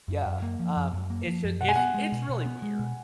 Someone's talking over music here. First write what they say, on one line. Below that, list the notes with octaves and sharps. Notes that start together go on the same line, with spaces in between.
Yeah. Um, it's just, it's it's really weird.
F#2
F#2
A#3
F3
F#2
F#2
A#3
F3
F#2
B2 F#5
G#5
B3 F#5
G#3
B2
B2
B3
G#3
B2